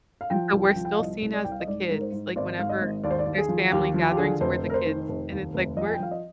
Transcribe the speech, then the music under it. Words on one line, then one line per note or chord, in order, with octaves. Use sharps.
and so we're still seen as the kids, like, whenever there's family gatherings, we're the kids and it's like, we're,
F5
F3 G5
C2
G5
F3
G5
F5
C2 D#5
C2
D5
C2 G5
F5
D#5
G#2 D5
G#2 A#4
C5
G#2
G#1 D5
G#2 F5
D#5
G#1
D#2 D5
C5
D5
D#2
G#4
F3
D#2 G4
F3
G4
D3 G#4
F1 C5
F1
A#4
C5
D#3
F1
D#2
F1
F3 D#5
G#5
G5
F3 F5
D#5